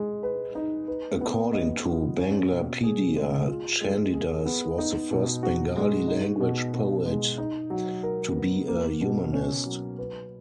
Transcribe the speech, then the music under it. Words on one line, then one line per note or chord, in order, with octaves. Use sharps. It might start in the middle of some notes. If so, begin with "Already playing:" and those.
According to Banglapedia, Chandidas was the first Bengali-language poet to be a humanist.
Already playing: G#3
B4
D#4
B4
B3
D#5
F4
C#4
B2
G#4
G#3
F4
G#3
G#4
B3
D#4
B2
F#4
G#3
D#4
B2
B2
G#3
D#4
F#3
A#4
B3
A#3
B2
C#4
F#3
B4